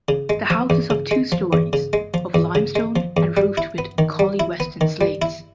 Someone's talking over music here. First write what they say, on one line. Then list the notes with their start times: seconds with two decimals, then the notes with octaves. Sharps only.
The house is of two stories, of limestone and roofed with Collyweston slates.
0.09 C#3
0.30 G#3
0.50 F3
0.70 E2
0.90 C#3
1.11 G#3
1.32 F3
1.53 E2
1.73 C#3
1.93 G#3
2.14 F3
2.34 E2
2.55 C#3
2.76 G#3
2.96 F3
3.17 E2
3.37 G3
3.57 E4
3.78 B3
3.98 D#3
4.19 G3
4.40 E4
4.60 B3
4.81 D#3
5.01 G3
5.22 E4